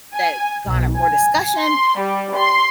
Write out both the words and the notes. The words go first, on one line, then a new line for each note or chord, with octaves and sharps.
that garner more discussion
G#5
B1
G#5
C6
G3
C6